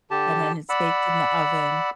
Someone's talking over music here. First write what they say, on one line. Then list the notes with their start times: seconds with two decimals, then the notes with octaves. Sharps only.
And then it's baked in the oven,
0.11 D3 G4 A5
0.69 D5 F#5 B5 E6